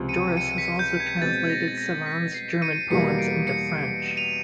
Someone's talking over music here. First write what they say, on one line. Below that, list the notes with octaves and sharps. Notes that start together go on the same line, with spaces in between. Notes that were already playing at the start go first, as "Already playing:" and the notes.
Joris has also translated Celan's German poems into French.
Already playing: C#2 C3 F3
C#7 D#7
C#7 D#7
B6 C#7
G6
G#6
B2 G#3 C4 A6
A#6
A6
A#6
B6
C7
C#7 D#7
E2 B2 G3 A#3 B6 C#7
C7 D7
C#7 D#7
D#7 F7